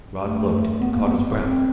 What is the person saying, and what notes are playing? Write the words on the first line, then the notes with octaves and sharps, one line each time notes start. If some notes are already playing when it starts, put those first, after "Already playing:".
Rod looked, and caught his breath.
A3
B3
A#3
B3
C4